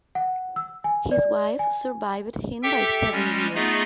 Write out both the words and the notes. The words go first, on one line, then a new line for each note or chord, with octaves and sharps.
His wife survived him by seven years.
F#5
E6
G#5
D5
G#5
G4 A4 E5 G5
G3 G#3 C#4
A3 B3 D#4 F4 G#4 D#5